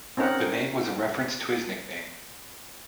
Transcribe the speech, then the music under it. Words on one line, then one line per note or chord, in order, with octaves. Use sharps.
The name was a reference to his nickname.
C4 C#4 D#4 A#4 F#5